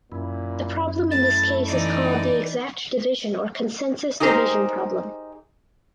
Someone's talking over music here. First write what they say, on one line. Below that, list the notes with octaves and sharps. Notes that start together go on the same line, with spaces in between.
The problem in this case is called the exact division or consensus division problem.
F#2 A#2 E4
A3 A6
E3 D#4 D5
D#4 G4 G#4 A#4 C5 D#5